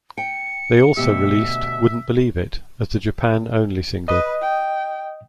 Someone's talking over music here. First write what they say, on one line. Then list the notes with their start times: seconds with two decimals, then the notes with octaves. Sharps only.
They also released Wouldn't Believe It as a Japan-Only single.
0.18 G5 C#7
0.97 D2 B2 G4 E5
4.08 B4 D#5 D#6
4.41 G5